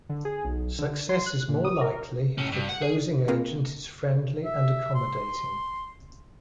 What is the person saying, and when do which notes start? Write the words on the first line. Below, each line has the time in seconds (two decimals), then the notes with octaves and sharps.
Success is more likely if the closing agent is friendly and accommodating.
0.09 D3
0.25 G#4
0.45 B1
0.78 D3
1.09 C6
1.26 F#6
1.49 A#2
1.65 D#6
1.81 A#4
2.38 A2 C#4
2.52 G2
2.69 F#5
2.82 G#4
3.28 A#3 C4 F4 G#4 A#4 B4
4.45 E5
4.95 C6